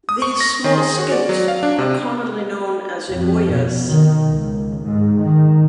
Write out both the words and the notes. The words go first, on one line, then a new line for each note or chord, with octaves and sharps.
These small skinks are commonly known as emoias.
D#6
C#6
A#6
D#3
G#4
F#4
D5
F#3
F5
D4
C3
F2
B2
D#3
C#2
G#2
D#3